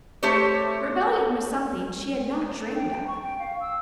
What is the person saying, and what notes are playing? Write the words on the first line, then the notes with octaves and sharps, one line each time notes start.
Rebellion was something she had not dreamed of.
A3 G4 C5 C#5
G5
G5
C#6
G5
F5
E6